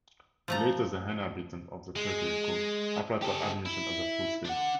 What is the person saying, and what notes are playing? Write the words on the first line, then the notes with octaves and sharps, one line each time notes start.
Later, the inhabitants of the territory could apply for admission as a full state.
F3 A3 A#5
G#3
G4 A4
E4
D4 F#5